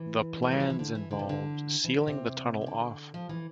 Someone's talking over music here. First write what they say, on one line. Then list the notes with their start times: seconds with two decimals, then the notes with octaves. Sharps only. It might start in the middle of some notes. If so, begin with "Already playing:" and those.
The plans involved sealing the tunnel off.
Already playing: E3
0.42 A3
0.52 G3
0.60 F3
0.70 E3
0.79 D3
0.95 E3
1.11 D3
1.19 C3
1.29 D3
1.84 E3
1.97 D3
2.08 C3
2.61 E3
2.67 D3
3.14 F3
3.29 E3